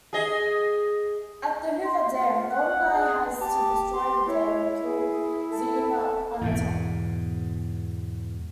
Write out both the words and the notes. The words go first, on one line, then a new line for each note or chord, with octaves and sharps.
At the Hoover Dam, GoldenEye has to destroy the dam and kill Xenia Onatopp.
G#4 D#5
C6
F4
F#5
G#4
G4 A5
G4 C6
E4 C#5
G#4
A4
E2 G#2 B2